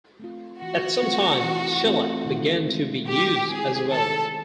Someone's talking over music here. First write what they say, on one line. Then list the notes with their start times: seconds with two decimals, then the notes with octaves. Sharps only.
At some time, shellac began to be used as well.
0.20 A3 C4 F4
0.62 E3 F#4
1.03 A3 C4 F4
1.44 E3
1.85 A3 C4 F4
2.26 D#3
2.67 G#3 C4 E4
3.08 D#3 G4
3.49 G#3 C4 E4 G#4
3.90 D#3 A4